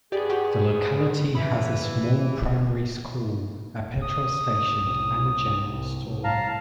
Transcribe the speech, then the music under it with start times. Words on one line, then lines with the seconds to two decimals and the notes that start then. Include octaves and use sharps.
The locality has a small primary school, a petrol station and a general store.
0.12 G2 B3 G4 G#4 D5
0.30 F#4 G4
1.35 E3 B5
4.02 D#6
4.69 C2 A2
5.69 C2
6.24 A2 F5 A5 A#5